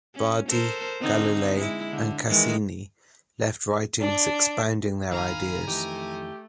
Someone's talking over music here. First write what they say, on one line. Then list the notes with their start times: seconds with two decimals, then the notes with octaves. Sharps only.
Bardi, Galilei, and Caccini left writings expounding their ideas.
0.15 C#4
0.49 A4 A#4 C5
1.00 D3 C4 D#4
1.55 G#3 E4
1.91 D3
2.26 D#3 E3 G#3
4.00 D4
5.11 G#1 D#3 F5 G#5 A#5 B5
5.67 F2 D#3 E3 A3 G4